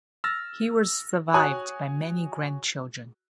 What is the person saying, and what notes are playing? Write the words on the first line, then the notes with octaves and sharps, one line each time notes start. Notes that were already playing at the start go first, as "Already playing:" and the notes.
He was survived by many grandchildren.
E6 F6 A6 A#6
F#4 C#5 G#5 D#6 F#6